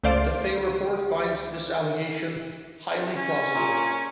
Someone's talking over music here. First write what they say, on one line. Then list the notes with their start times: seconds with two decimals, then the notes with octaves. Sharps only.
The Fay Report finds this allegation "highly plausible".
0.04 C#2 A3 C5 D5 F5 D7
3.15 C#4
3.55 A#2